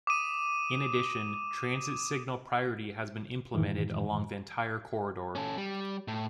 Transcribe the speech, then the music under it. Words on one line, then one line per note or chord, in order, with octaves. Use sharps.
In addition, transit signal priority has been implemented along the entire corridor.
D6 D#6 D#7
F#2 A2 D#3 E3 G#3
C#4 A4
G3
A2